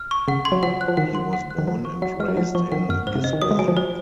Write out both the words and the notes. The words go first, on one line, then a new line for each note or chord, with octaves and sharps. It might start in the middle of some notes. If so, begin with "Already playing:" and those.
He was born and raised in Gisborne.
Already playing: F6
C#6
C#3 F#5
C6
F#3
F3 F#5
F#6
F3
D#3 F#5
C6
F#5
F#6
D#3
F3 F#5
C#6
F#3 F#5
G#3 F6
F#3
F3 F#5
F3 C#6
D#3 F#5
F#2 F6
G#2 C5
C3
C#3 D#5
D#3
F#3 D#6
G#3
F#3 G#5
F3
F#3 C5